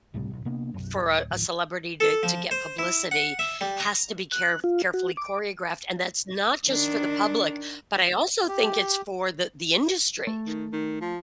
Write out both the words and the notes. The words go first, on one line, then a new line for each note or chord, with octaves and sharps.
for a a celebrity to to get publicity has to be care carefully choreographed, and that's not just for the public, but I also think it's for the the industry,
C#2 A2 C3 G3
D1 B1
C3 A#3 B3 D4
B1 F#2
D1
D1 G#1 F3
A4
F3
C5
E4
F#5
E5
G3
A#5
F#6
F4
F#4
D6
D#3 D4
G4
A3
D#3
D#3
F3